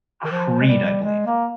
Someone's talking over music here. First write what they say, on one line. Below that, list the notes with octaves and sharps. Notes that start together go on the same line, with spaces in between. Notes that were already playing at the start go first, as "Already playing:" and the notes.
Creed, I believe.
D#3
F3
G#3
G3
G#3
A#3